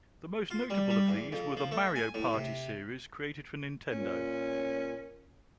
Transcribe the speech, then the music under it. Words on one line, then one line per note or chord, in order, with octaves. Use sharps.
The most notable of these were the "Mario Party" series, created for Nintendo.
F4
G3
G3
E2
F2
F3
A3
G#5
A2
C3
A#2 C#4